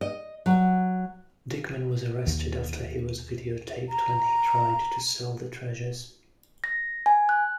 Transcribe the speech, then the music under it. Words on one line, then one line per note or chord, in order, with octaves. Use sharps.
Dikmen was arrested after he was videotaped when he tried to sell the treasures.
D#5
F#3
D#2
A#5
A#6
G#5
F#6